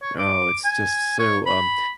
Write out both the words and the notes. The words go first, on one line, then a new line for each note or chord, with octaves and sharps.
Oh, it's just so, um
C#5
D6
G#5
C#5
B5